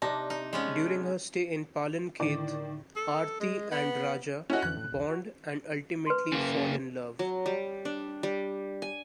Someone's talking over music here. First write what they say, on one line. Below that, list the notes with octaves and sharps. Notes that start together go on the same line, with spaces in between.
During her stay in Palankhet, Aarti and Raja bond and ultimately fall in love.
C3 D4 D#4 D5 A5 A#6
D#4
G#3 B3 C#4
A2 D3 D#3 E4 D5
A4
G#3
B3
C#4 E4 F#4 A4 D#5
F2 D3 E3 F#6
A2
A#1 D#2
F#4
B4 C6
C#3 A#3
F#3
G3
D4
G3
G#5